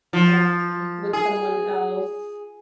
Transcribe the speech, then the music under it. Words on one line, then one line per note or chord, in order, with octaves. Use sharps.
um, with someone else,
F3
G#4